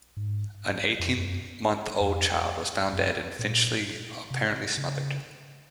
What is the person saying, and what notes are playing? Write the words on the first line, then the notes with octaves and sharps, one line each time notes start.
An eighteen-month-old child was found dead in Finchley, apparently smothered.
G#2
F2
F#2
F2
F#2
A#2
C3
C#3